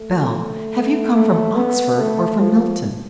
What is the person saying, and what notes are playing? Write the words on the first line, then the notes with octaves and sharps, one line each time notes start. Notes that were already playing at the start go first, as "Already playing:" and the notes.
Bell--have you come from Oxford or from Milton?'
Already playing: A3
A3
B3
A3
F3